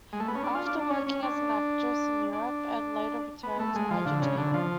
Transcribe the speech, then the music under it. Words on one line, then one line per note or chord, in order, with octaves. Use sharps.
After working as actress in Europe, and later returned to Argentina.
G#3
A3
B3
C#4
D4
F4
D4
D4
C#4
C#4
D4
D4
B3
A3
G#3
F3
D3
C#3
D3
F3